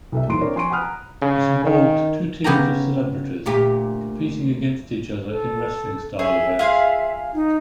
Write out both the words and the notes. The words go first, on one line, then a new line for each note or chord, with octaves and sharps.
It involved two teams of celebrities, competing against each other in wrestling style events.
C2 A4 E5
D#1 D#3 E3 C6 D7
C4 D4 E4 A#4 C#5 D5
F3 G#5 C6 C#6 D7
F#5 G#5 B5 D#6 F6 F#6
A#5
C#3
D#3
C#3 B3 G4 C#5 G5 A#5
D2 A#2 G4
A4
G#4 A4 E5
F4 G#4 F5
D#4